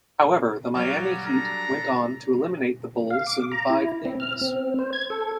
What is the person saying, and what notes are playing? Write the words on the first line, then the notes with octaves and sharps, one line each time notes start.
However, the Miami Heat went on to eliminate the Bulls in five games.
F#3 G3 F#4 C#5 F5
D4 A4 A#5
F5
D6
A#5
E4
C4
F6
C4
C5
G#6
A4